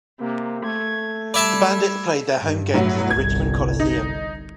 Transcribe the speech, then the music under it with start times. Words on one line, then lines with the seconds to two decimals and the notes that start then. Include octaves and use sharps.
The Bandits played their home games in the Richmond Coliseum.
0.20 C3 A#3
0.64 A3 G#6
1.34 G3 D5 E5 A5 B5 G#6
2.38 G2
2.74 A2 F#3
3.11 G1 C2 G#6
3.80 D#4